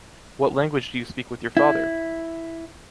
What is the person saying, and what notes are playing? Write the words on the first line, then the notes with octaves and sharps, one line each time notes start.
What language do you speak with your father?
E4